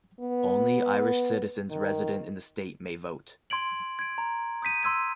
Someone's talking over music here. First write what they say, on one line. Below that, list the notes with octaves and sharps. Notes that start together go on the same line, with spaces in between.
Only Irish citizens resident in the state may vote.
B3
D#3
C6 G#6 D7 F#7
G#6 D7
A#5
D#6 G6 B6 D#7
C6 E6 G#6 D#7